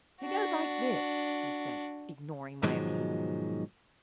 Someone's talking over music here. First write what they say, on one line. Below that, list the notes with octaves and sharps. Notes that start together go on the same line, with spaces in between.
"It goes like this," he said, ignoring my appeal.
D4 F#4
G#2 B2 D#3 F3 F#3 G#3